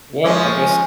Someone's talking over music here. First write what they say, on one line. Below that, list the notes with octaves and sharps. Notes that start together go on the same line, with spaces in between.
Well, I guess
F3 G#3 C#4